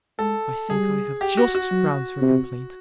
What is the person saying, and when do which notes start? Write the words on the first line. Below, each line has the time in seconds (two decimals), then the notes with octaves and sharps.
I think I have just Grounds for Complaint.
0.19 G#3 A4
0.69 G3 G#4
1.21 G4
1.37 F#4
1.55 F#4
1.71 F#3
2.22 C3